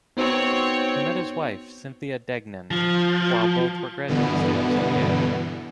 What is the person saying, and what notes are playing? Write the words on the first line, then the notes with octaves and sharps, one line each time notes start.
He met his wife, Cynthia Degnan, while both were graduate students at Yale.
B3 C4 D#4 F#4 C#5
F3
G2 B2 D3 E3 B3